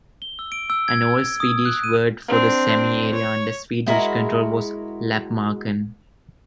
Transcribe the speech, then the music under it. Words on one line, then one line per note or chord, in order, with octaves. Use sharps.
An old Swedish word for the Sami area under Swedish control was "Lappmarken".
G7
E6
D7
E6
G#6
D#6
F#6
D#7
C4 D4
C#5
G#3 E4 F#4 A#4